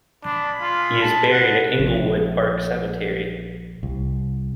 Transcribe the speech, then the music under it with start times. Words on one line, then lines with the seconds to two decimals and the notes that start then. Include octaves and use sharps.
He is buried at Inglewood Park Cemetery.
0.24 G#3 D4 B5
0.61 F4
1.02 A5
1.32 F#5
1.79 A#1
3.83 C2